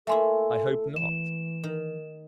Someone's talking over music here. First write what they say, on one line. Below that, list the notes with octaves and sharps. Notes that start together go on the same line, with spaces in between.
"I hope not."
A3 A#3 E4 A4 E5 G#5 C6
E3 E7
D#3